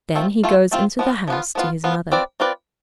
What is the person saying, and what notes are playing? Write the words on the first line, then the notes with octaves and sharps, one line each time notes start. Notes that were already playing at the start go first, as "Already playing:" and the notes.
Then he goes into the house to his Mother.
A3 C4 F4
A3 C4 F4
A3 C4 F4
F3 B3 F4
F3 B3 F4
F3 B3 F4
F3 B3 F4
C4 F4 B4 D5
C4 F4 B4 D5